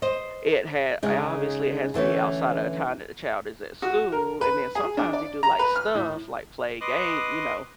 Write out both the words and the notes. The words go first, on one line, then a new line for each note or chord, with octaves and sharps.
it had uh, obviously, it has to be outside of the time that the child is at school, and then, sometimes, they do, like, stuff, like, play a game you know,
C5 D#5
C#3 G#3 D#4
D3 E3 A3 C#4
F#4
A#4
B4
G#4
D4
D5
A#5
B4
F6
A2
B4 D#5 C6 D6 D#6 F#6